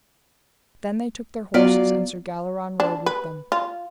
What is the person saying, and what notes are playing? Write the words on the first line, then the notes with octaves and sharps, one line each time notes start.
Then they took their horses and Sir Galleron rode with them.
F#3 B3 F4 D5 F6
D4
B4
F4